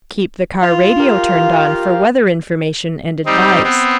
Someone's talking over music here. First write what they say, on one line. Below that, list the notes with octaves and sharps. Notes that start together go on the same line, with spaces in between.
Keep the car radio turned on for weather information and advice.
F4
G4 A#4 F5
G3 C4 D#4
B3 C4